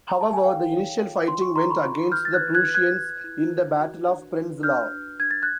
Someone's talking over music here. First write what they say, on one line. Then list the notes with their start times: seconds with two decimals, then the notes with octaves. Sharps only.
However, the initial fighting went against the Prussians in the Battle of Prenzlau.
0.09 A#5
0.21 A5
0.33 G#5
0.44 A4 F5 G5
0.72 C#5
1.00 F4
1.28 F4 C6
1.42 C#6
1.56 A4 A#5 C6
1.70 B5 C#6
1.84 F4
2.12 B4 F6 G6
2.25 A6
2.33 F#6 G#6
2.40 B4
2.55 F#6 G#6
2.68 B4
2.75 F#6 G#6
2.96 B4
3.24 E4
3.52 B4
3.80 F#4
4.07 D4
4.36 B4
4.63 D4 F6 G6
4.92 D4
5.20 D4 G#6
5.31 A6
5.42 F#6 G#6